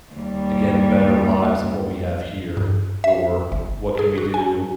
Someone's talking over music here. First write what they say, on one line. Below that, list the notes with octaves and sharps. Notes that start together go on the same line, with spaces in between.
again, better lives of what we have here or what can we do
D#2 G3
G2
E5
G1
G#4
F#4
G#5